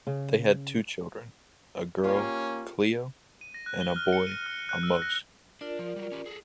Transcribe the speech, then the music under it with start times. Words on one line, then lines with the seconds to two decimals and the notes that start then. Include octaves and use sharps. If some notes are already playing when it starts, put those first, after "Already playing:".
They had two children, a girl, Cleo and a boy, Amos.
0.07 C#3
2.04 A#3 C#4 F4 G4
3.41 D#7
3.54 A#6
3.66 F#6
3.81 G7
3.96 F6
4.13 C#7
4.27 D#7
4.46 F6
4.69 F#6
4.83 E6
5.02 A#6
5.61 D4 F4 A#4 D5
5.79 F3
5.96 F#3 G3
6.12 C#4 G4
6.26 G#4 A4